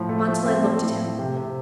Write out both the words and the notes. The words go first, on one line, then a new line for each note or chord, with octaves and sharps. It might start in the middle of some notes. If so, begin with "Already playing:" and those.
Montalais looked at him.
Already playing: A2 F3
A3
F3
C4
A3
A2
A3
C3
C3